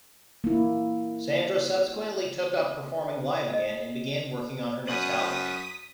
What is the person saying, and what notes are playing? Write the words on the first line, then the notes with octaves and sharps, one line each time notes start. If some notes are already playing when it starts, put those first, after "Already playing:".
Sandra subsequently took up performing live again and began working on her next album.
A#3 E4
D#5
F#2 D#6 B6 F#7